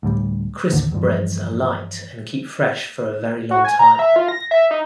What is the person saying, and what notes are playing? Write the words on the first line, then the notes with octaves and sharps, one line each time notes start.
Crispbreads are light and keep fresh for a very long time.
D2 A2 G3
A1 D#2 D3
E2 G2 F3
F#4
G#5
A#5
E5
F4
A#6
E5
D#4